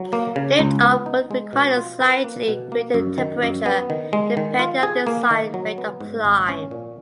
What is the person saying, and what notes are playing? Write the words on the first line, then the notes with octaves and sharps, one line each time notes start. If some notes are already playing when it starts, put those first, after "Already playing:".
Liftoff would require a slightly greater temperature, depending on the desired rate of climb.
Already playing: F#3
A#3
C#3
C#2
B3
D#4
G#3
B2
F4
B4
A#3
B2
A#3
F#2
D#3
F#2
B3
D#3
G#3
D#3
F4
G#4
A#3
D#3
F#3
B3
G#2
G#1
C#4
A#2